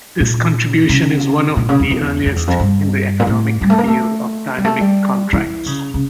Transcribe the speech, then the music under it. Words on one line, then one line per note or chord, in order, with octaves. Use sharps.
This contribution is one of the earliest in the economic field of dynamic contracts.
A#2
C#3
A#2
C#3
E2
E2
F2
E2
F2
G2
A#2
A2
G3
A3
A#3
A3
G3
A3
G3
E3
C#3
C#3